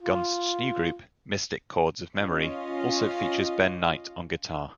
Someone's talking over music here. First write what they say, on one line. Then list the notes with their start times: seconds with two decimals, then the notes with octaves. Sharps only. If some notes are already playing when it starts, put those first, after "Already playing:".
Gunst's new group, Mystic Chords Of Memory, also features Ben Knight on guitar.
0.01 F4
2.16 C#4 F4 D#5 F5